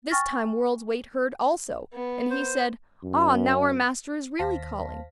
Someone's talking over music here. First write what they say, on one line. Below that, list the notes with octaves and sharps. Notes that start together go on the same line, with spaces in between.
This time World's-weight heard also, and he said, 'Ah, now our master is really calling.'
G5 G#5 C#6 F6 A6 A#6
B3
C5
F#2
D#2 C5 F5 A5 A#6 B6